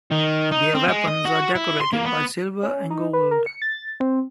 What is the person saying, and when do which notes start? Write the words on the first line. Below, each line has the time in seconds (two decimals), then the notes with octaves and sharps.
Their weapons are decorated by silver and gold.
0.11 D#3
0.52 D#4
0.75 C4
0.88 G#3
1.07 D#5
1.25 F#4
1.56 E4
1.81 C6
1.93 A#3
2.06 B3
2.63 C#4
2.90 D#4
3.13 B4
3.31 A#4
3.46 C#7
3.62 A6
4.00 C4